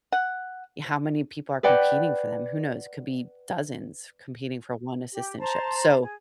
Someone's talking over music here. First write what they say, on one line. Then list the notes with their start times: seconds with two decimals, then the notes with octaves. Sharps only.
y how many people are competing for them, who knows? Could be dozens competing for one assistantship. So
0.13 F#5
1.63 B4 D5 F#5 G5
5.12 G4
5.40 C5 A5 A#5 C6
6.02 G#4